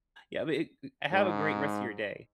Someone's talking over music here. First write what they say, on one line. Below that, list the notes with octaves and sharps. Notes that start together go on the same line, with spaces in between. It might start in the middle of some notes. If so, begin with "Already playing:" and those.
Yeah, but it g have a great rest of your day.
G#2